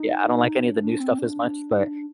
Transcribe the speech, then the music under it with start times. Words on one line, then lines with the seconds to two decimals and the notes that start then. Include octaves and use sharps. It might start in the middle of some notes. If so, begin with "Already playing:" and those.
Yeah, I don't like any of the new stuff as much, but,
Already playing: D#4
0.65 D4
0.83 D4
1.00 C4
1.18 D4
1.70 D#4
1.87 D4